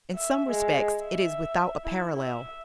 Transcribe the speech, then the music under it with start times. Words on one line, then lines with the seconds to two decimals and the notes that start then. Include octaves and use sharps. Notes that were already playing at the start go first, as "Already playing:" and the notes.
In some respects it is without a parallel.
0.15 E5
0.50 G#3
1.03 E5
1.85 E4
2.18 E5